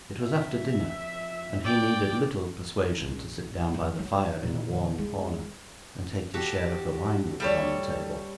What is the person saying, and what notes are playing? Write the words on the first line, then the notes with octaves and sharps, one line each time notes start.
It was after dinner; and he needed little persuasion to sit down by the fire in a warm corner, and take his share of the wine that was on the table.
F2 E5
D5 G5
A#1
F2 F3
F#3 A#3
A#2 D#3
D2 G#3
F#4 G4 A4
G3 A4 C#5